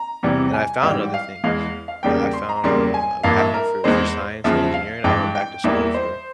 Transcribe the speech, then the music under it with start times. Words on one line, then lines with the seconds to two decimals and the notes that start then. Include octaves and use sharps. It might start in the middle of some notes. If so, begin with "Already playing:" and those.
and I found other things. Like, I found a a passion for for science and engineering. I went back to school for
Already playing: A#5
0.23 E2 C3 E3 G3
0.53 G#5
0.82 G#2 E3 G3 G5
1.14 F5
1.44 E2 E3 G#3 F5
1.88 F5
2.03 E2 C#3 G3 A#3 G5
2.33 C6
2.49 A#5
2.64 E2 C#3 G3 A#3 C6
2.94 G#5
3.23 G2 E3 A#3 F5
3.38 E5
3.54 A#4
3.84 E2 E3 G#3 C5
4.44 E2 C#3 F3 E5
4.74 F5
5.04 G2 E3 G#3 G5
5.35 G5
5.64 E2 E3 G3 A#3 E5
5.94 C5